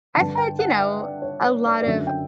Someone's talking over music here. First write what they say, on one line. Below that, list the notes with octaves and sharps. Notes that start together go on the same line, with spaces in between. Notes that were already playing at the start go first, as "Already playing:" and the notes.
I've had, you know, a lot of
G2 D3 A5
G5
F#5
E5
D5
C#5
C#5
D5
D5
F#2 D3 E5
G5